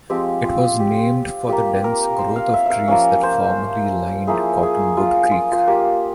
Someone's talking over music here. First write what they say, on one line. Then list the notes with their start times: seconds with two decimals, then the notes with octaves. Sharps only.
It was named for the dense growth of trees that formerly lined Cottonwood Creek.
0.10 F3 G#3 C4 G4
0.44 F4
0.80 G4
1.49 A#3 F4 G4
1.84 A#4
2.19 C5
2.36 F5
2.54 E5
2.66 E5 F5
2.88 F3 A#3 C#4 F5
3.23 C5
4.27 F3 A#3 E4 G#4
4.63 G#4
4.97 F4
5.32 F4
5.52 F4
5.67 A#3 F4 G4